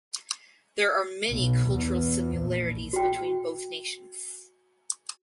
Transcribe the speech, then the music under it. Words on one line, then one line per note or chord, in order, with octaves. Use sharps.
There are many cultural similarities between both nations.
B1
E2
A#1
F#4 G5